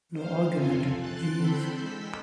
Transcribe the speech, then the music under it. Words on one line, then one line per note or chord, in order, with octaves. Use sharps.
No argument, Jeeves.
C5 F5
F2 C3 C4 F4 A4 G#5
C6 F#6 A6
D3 C4 A4 B5 C6 G6
G#3 E6 B6